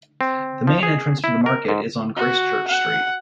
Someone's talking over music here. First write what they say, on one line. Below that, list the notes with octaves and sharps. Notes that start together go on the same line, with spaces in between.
The main entrance to the market is on Gracechurch Street.
C4
F3
G#4
E4
A#4
G#2
F#4
F#5